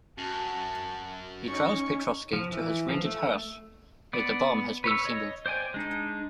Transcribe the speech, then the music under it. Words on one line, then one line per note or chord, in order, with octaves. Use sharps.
He trails Petrofsky to his rented house, where the bomb has been assembled.
F#2 F#4 A5
C#4 D#4 C#6
F3
E3
F3
A3
B3 D5
B4 C#5 E6
C#5 D#5
C5 D5 G5 G#5
G#3 D4 D#4